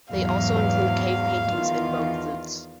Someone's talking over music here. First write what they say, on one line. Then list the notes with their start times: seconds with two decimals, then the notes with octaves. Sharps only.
They also include cave paintings and bone flutes.
0.13 E2 G#2 F#3 F5
1.50 E2 D#3 F4